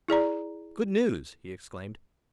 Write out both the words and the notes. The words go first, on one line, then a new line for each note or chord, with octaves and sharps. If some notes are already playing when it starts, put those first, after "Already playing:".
"Good news!" he exclaimed.
E4 G#4 D5 A#5